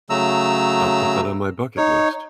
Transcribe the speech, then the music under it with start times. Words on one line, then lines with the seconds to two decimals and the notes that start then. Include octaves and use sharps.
I'll put that on my bucket list.
0.10 C#3 F#3 A3 A#5 E6
1.77 D#4 C#5